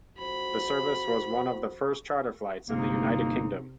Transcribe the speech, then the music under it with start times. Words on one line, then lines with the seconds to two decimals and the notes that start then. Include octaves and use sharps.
The service was one of the first charter flights in the United Kingdom.
0.19 F2 F#4 C5 B5
2.69 G1 C3 A#3 D#4